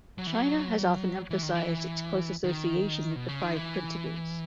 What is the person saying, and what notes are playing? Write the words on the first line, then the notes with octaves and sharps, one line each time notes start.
China has often emphasized its close association with the Five Principles.
F#3
E3
F#3
E3
D#3
E3
D#3
B2
C#3
D#3
E3